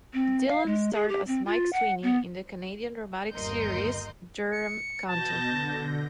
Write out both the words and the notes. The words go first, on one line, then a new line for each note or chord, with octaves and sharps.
Dillon starred as Mike Sweeney in the Canadian dramatic series "Durham County".
C4
F5
G#3
G#4
G4
C4
F4
F#5
B3
G1 D#2 A#4 D#5 C6 G6
C#7
B2 A5 G6 A#6
D3